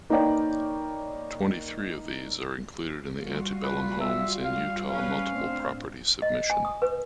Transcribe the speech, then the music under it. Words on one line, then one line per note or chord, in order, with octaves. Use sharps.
Twenty-three of these are included in the Antebellum Homes in Eutaw multiple property submission.
A#3 D#4 B4 C#5 D5 G5
G3 F4 F#4
B4
E5
F5
G3 C#4 B4 F5
A2 C4 D4
D#5
G#5
D#6
B4